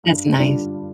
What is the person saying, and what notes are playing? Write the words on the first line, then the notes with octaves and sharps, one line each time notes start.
That's nice.
G2
D3 G3 D4 F4